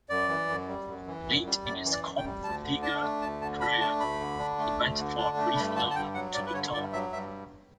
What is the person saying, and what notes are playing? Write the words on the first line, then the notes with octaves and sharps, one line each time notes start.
Late in his Kongsvinger career, he went for a brief loan to Luton.
F#2 D5
E3
F#2
G3
F#2
E3
F#2
G3
F#2 D5
E3
D5
F#2
G5
G3
D2 A5
D3
D4 A5
A3
D2 A5
D3 A5
D4 B5
A3 A5
D2 B5
D3
D4
A3
D2
D3
D4
A3
G2 B5
D3 A5
A5
G2 G5
F#3 F#5
G2 D5
B4
D3 C#5
G2 D5
F#3 E5
G2 E5